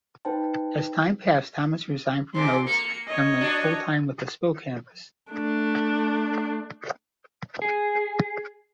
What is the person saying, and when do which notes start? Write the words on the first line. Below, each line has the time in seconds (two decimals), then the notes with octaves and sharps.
As time passed, Thomas resigned from Nodes, and went full-time with The Spill Canvas.
0.25 D#4 B4 C5 G5 A5
2.34 E2 G#2 C3 C6 D6
2.67 A#3 C#7
3.08 C#5 D#5
3.41 D4 F#4
5.31 A3 D4
7.62 G#4